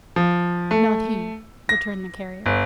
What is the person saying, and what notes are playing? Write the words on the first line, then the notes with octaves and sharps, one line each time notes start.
"Not he," returned the Carrier.
F3
A3
A#6
G1